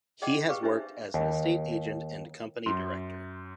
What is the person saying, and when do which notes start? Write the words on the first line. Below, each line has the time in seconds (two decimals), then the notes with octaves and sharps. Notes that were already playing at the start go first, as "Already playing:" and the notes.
He has worked as an estate agent and company director.
0.22 G#4 D5 D#5 F#5 G5 D6
0.49 G4 G#4 B4 F5 C#6 D6
0.62 D4 D#4 G4 C5 E5
1.14 D#2
2.66 F#2 C6